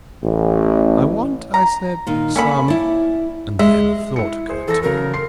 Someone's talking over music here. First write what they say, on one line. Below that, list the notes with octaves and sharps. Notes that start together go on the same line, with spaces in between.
"I want," I said, "some--" and then a thought occurred to me.
A1
A#5
A#2 D#3
A#3 C#4 A4 B5
E4 D5
G#3 E5
E4 C#7
G#4 C5
E2 A4 A#6
C#3 F#3 A#4
C6 C7